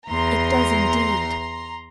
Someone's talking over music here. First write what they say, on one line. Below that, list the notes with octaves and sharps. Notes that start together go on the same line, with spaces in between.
It does indeed.'
E2 A#5 C6